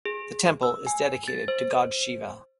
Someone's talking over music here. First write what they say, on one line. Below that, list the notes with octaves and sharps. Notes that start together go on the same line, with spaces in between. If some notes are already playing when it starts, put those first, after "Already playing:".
The temple is dedicated to God Shiva.
G#4
E6
G#5
A6
C5